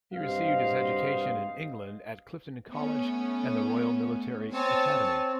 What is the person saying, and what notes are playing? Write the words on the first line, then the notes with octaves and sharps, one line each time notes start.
He received his education in England at Clifton College and the Royal Military Academy.
G2 C3 F#4 C5 D#5 F5
A3 B3 C#4
C4 C#5 G#5 A5